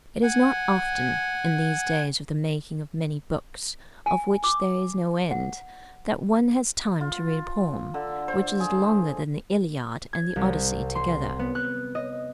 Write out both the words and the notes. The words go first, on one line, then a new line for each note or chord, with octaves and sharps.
It is not often, in these days of the making of many books of which there is no end, that one has time to read a poem which is longer than the 'Iliad' and the 'Odyssey' together.
F#5 G#5
G#5
D6
F#5
F4
D3
C5
G#4
G#6
C2
C6
B3
F#6
D#5